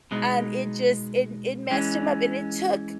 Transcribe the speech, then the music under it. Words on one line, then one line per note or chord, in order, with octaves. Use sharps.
and it just it it messed him up and it took
B2 G#3 B3 D#4
E3 G#3 C#4